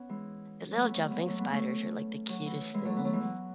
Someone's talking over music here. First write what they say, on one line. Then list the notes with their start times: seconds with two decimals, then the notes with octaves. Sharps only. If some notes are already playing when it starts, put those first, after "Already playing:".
The little jumping spiders are, like, the cutest things.
Already playing: B3 C#4
0.09 E3 G#3
0.71 F#3 A3
0.83 A3 C#4
0.88 B3
0.94 A3 C#4
1.11 G#3 B3
1.27 F#3 A3
1.39 G#3 B3
1.50 A3 C#4
2.29 F#3
2.46 E3
2.74 E3 G#3
2.85 F#3 A3
2.96 G#3 B3
3.05 F#3 A3
3.13 E3 G#3
3.22 F#3